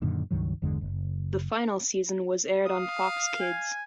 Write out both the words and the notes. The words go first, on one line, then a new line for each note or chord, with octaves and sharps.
The final season was aired on Fox Kids.
F#2 A#2 D3 D#3
C#2 G2 D#3 F#3
G1 E2 D3 G#3
F#1
F5 D#6
G#5